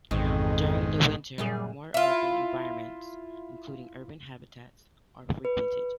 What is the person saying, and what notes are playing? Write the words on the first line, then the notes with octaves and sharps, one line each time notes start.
During the winter more open environments, including urban habitats, are frequented.
A1 F2 G#2 B2 D#3 C4
F#2 A#2 G3 G#4
E4 F4
B4